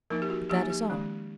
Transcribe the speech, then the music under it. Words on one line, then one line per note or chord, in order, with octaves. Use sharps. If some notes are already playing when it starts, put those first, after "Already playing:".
But that is all.
F3 A#3 D#4 A#4
G4
F#4
F3 A#3 D#4 G4
G4
D#3 G#3 C#4